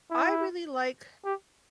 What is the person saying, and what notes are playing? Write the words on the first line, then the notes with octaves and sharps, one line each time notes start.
I really like,
E4
G4